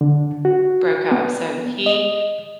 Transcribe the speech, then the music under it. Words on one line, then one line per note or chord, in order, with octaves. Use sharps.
broke up, so, he
D3
F#4
B3
D#5